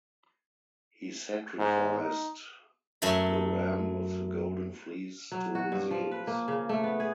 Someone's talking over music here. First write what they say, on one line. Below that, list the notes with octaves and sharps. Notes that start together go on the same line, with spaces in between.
He sacrificed the ram with the golden fleece to Zeus.
G#2
D#4
F#2 A3 E5 B5
F#3
F#4
G2
F3
B4
A#3
C#3
A3
B3
G#4